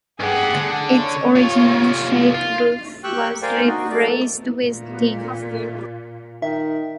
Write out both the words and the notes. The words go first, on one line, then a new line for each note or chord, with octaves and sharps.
Its original shake roof was replaced with tin.
G2 G4 G#4 F#5
D3
C#5
C2 F4
F4
G4 G5 C#6 E6 F#6
A#4 C5 D5 F5 G5 G#5
D#4 F#4
A3 D5
A#2
D#3 E5